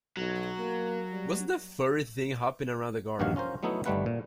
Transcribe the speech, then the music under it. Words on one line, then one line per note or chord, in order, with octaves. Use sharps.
What's that furry thing hopping around the garden?
B1 F#3
A#3
G3
A#1 G2 D#3 F#4 C#5 F5
C#4 F4 A#4 C5
F#3 A3 B3 D#4 E4
G1 D#3 G3 A3 B4 F#5
A#2